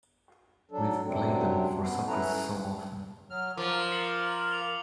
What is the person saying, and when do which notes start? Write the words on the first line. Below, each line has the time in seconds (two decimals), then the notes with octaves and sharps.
We've played 'em for suckers so often.
0.71 F#3 D4 A4
1.05 F#2 C3 F#3 C4 D4
1.80 B3
2.07 C#4 E4 A4 B4 A5 A#5
3.30 F#3 F6
3.57 F3 F4 A#4 D6
3.92 C7 C#7 F#7
4.51 D6 F7 G7